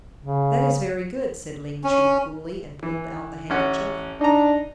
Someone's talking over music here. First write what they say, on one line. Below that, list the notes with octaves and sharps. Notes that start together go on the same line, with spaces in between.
"That is very good," said Ling Chu coolly, and pulled out the handkerchief.
C#3
C#4
E3
A1 C#4 F#5
D4 D#4 A#5